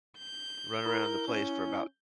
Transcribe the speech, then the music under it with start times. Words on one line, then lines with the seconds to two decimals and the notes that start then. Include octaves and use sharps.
run around the place for about
0.19 G6
0.86 E4 A#4
1.28 C#4